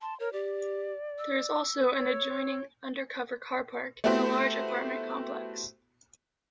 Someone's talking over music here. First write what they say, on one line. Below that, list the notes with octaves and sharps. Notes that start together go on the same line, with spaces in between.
There is also an adjoining undercover carpark and a large apartment complex.
A5 C6
A#4 C#5
G4 D5
E6
C#5
A3 B3 E4 F#4 G4 C5